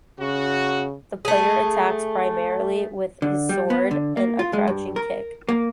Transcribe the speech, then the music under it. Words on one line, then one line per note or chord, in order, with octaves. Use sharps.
The player attacks primarily with his sword and a crouching kick.
C#3 F#4
A3 G#4
D3
G3
B3
D3
A#3
F4
G#3
G2
A#4
A#3